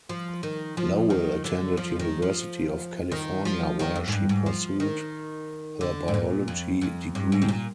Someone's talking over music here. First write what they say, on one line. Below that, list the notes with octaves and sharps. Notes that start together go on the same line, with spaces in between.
Lowell attended University of California where she pursued her Biology degree.
F3
D#3
F3
D#3
D3
F3
D#3
F3
D#3
F3
D#3
F2
G#2
G2
G#2
F3
D#3
D3
G#2
A#2
F2
F2
G2
G#2
C3
A#2